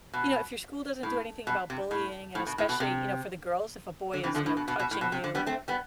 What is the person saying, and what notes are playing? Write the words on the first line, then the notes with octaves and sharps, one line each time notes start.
you know, if your school doesn't do anything about bullying, and especially, you know, for the girls, if a boy is, you know, touching you,
B2
A2
B2
C3
A2
A2
B2
A2
B2
C3
D3
C3 E3
D3 F3
A2
B2
B2
B2
A2
B2
C3
D3
G3 B3
A3 C4
G3 B3